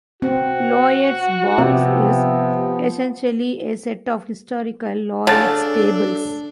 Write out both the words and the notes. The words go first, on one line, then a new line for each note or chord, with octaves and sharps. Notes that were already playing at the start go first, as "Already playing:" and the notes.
Lloyd's Box is essentially a set of historical Lloyd's Tables.
C4 F#4
C3 F3 B3 G4
C#3 D4 A4 A5 A6